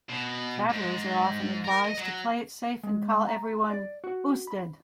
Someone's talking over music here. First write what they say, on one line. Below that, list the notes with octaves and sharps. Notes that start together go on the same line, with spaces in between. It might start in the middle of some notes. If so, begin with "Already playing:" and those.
Travellers are often advised to play it safe and call everyone "usted".
B2
G#2
A#4
D#5
F#3
G#3
A#5
D5
F#4
B5